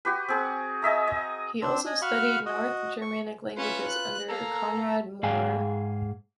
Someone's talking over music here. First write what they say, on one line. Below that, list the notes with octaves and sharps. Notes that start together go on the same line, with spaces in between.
He also studied North Germanic languages under Konrad Maurer.
F#4 G4 B4
C4 G#4
G#4 D#5 E5 A#5
D#5
C4 D4 E6
D#5 G#5 D#6
F#4 F5 B5 C#6 F6
F#4 D#5
C#6
C#4 F4 B4 E5
F#6
A#3 A4 A#5
G#2 G#4 F5 G5 G#5